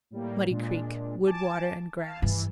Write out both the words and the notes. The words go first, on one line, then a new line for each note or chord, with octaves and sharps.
Muddy Creek.--Wood, water, and grass.
A2 G3 A#3
A#2 G#3 D4
G#5 A5 D6
F5 A5
G2 E3